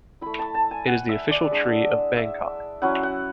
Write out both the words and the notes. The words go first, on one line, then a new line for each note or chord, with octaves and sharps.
It is the official tree of Bangkok.
A3 E4 B5
A5
A5
G#5
F#5
E5
D5
G#3 D4
E5
F#3 C#4 E4 F#5
F#5